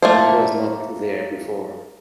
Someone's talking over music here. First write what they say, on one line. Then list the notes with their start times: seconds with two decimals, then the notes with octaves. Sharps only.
It was not there before.
0.02 A3 A#3 C5